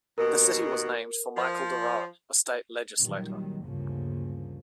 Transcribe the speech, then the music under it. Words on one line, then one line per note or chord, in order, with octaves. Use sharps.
The city was named for Michael Doran, a state legislator.
D#2 B2 A#4
F3
A#2 D#3 F#3 G3
D2 G2 C#3 F3 A#3